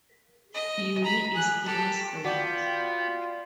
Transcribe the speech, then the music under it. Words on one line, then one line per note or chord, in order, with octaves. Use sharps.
Unni is innocent.
D#5
A#5 B5
G#4 F#6
G4 A4
B3 F4 F#4 D5 G5